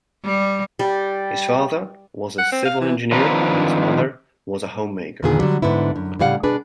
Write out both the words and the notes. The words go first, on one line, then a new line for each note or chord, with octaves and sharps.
His father was a civil engineer and his mother was a homemaker.
G3
G3
F#5
C4
F5
E3
D#3 F3 C4 D4 B4 A#5
E2 A#2 D3 D#3 G#4
D3 F#3 G3
G#2 D3 B3 E4
F#2
A2 C#3 G3 F5 F#5
B2 D4 G#4 B4